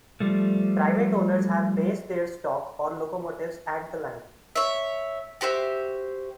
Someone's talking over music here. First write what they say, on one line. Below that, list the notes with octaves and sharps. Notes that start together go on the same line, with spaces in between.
Private owners have based their stock or locomotives at the line.
F3 G3 A3
C#5 E5
F#4 G4 C5 E5